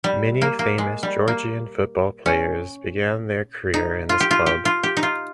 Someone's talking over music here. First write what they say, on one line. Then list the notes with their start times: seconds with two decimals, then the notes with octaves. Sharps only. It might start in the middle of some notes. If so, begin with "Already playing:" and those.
Many famous Georgian football players began their career in this club.
0.04 G3
0.42 A#3
0.59 A#3
0.78 G#3
1.03 G3
1.28 A#3
2.26 C#4
3.74 D#4
4.09 F4
4.20 G4
4.31 F4
4.46 G4
4.65 F4
4.83 G4
4.97 D#4
5.03 F4